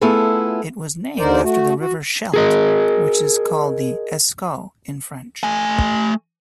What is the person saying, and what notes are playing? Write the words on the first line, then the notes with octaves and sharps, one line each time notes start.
It was named after the river Scheldt, which is called the Escaut in French.
A3 B3 E4 F4 G#4 A4
D#2 D3 D#4 A#4 C5 D5
A3 F#4
F#4
G#4 A#4 D#5
A3 G#5